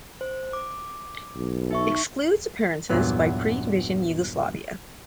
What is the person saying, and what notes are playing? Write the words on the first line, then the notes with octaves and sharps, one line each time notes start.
Excludes appearances by pre-division Yugoslavia.
C5
D6
B1
D#4 E5 C#6
E2 G2 A#2 E3 F#3 B3